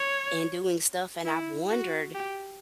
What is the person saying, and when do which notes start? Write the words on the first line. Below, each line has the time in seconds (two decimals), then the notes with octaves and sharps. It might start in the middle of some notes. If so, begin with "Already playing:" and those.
and doing stuff, and I've wondered,
Already playing: C#5
1.25 E4
1.70 F#4
2.15 G4